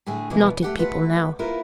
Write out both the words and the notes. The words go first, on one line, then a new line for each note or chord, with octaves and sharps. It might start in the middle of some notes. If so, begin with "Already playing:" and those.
"Not eat people now."
A2 D3 A3 G#4
B2 E3 F3 G#3 A#3 B3
A3 G4 F#5
A3 F4 B4 F#5
A#3 E4 F4 A#4 B4